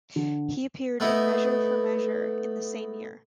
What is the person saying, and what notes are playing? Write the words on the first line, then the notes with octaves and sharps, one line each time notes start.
He appeared in "Measure for Measure" in the same year.
D3
A3 B3 D#4 E4